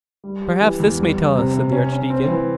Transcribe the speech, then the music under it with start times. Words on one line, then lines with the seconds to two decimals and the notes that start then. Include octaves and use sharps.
"Perhaps this may tell us," said the Archdeacon.
0.24 G3
0.42 G4
0.61 E3
0.80 E2
0.98 G3
1.17 G3
1.35 C3
1.54 C3
1.72 C#4
1.92 C#4
2.10 C4
2.28 E3